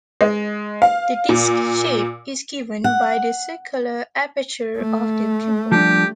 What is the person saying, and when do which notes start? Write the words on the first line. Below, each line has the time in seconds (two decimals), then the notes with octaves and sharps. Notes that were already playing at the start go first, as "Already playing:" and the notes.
The disk shape is given by the circular aperture of the pupil.
0.21 G#3
0.82 F5
1.29 A#2
2.84 F#5
4.77 A3
5.72 F3 G3 D4 G4